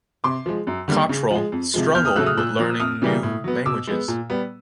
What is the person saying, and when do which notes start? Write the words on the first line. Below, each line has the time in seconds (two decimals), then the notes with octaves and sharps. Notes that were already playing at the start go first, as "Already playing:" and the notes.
Cottrell struggled with learning new languages.
0.24 C3 C6 D6
0.46 F3 G#3
0.67 F#2
0.88 D3 G3 A#3
1.09 C#3
1.31 F3 G#3
1.52 F2
1.74 C3 F3 G#3
1.95 E2 F6 G6
2.05 D#6 F6
2.16 C#3 F#3 A3 E6 F#6
2.26 D#6 F6
2.37 A#2 E6 F#6
2.59 F3 A#3
2.80 F2 D#6 F6
3.02 C#3 E3 G3 A#3
3.23 A2
3.44 F#3 B3
3.66 B2 D6 E6
3.87 G#3 B3
4.08 A#2
4.30 G3 B3